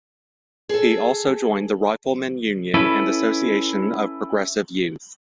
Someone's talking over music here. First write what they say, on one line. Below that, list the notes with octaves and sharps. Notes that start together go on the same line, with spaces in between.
He also joined the Riflemen Union and "Association of Progressive Youth".
G#4 A4
C#4 E4 A4 B4